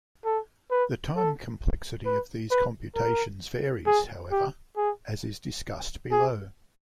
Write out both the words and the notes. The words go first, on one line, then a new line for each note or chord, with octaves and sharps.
The time complexity of these computations varies, however, as is discussed below.
A4
B4
A4
B4
B4
A#4
G#4
G4
G#4
G#4